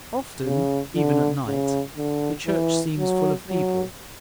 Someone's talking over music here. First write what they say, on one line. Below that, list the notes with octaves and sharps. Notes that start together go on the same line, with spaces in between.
Often, even at night, the church seems full of people.
C#3
D3
C#3
D3
E3
F#3
F#3